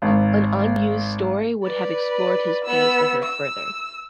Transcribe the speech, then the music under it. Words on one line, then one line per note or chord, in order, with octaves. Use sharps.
An unused story would have explored his plans for her further.
G#1
B4 D5
B3 E6
E6